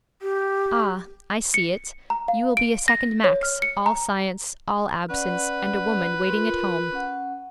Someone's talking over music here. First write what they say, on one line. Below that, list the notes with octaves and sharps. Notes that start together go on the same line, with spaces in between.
'Ah, I see it: you will be a second Max--all science, all absence, and a woman waiting at home!
G4
C#7
A#5
F5
D7
A#6
C#5
F6
C#7
A#5
C#4 B4 D5 F#5
F4 A#4 C6
C#4 F#5